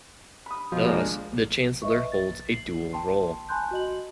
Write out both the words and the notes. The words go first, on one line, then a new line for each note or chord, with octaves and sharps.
Thus, the chancellor holds a dual role.
B5 D#6
B2 F3
G#3 A#3 D4
B4 D#5 E5 C#6
A6
C7 F#7
G5 A5 C6
G#5 A5 B5 C6 F#6 G6
F#4 D#5 F#7